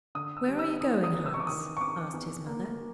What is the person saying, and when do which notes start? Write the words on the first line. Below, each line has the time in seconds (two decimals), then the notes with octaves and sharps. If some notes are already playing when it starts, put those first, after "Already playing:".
'Where are you going, Hans?' asked his Mother.
0.15 D3 D#6
0.37 E6
0.48 G3
0.59 E6
0.81 E2 D#6
1.04 D#6
1.15 E3
1.26 E6
1.34 C#6
1.40 D6
1.47 D#3 D#6
1.77 C#6
1.81 C4 D6
2.14 E2
2.47 A#3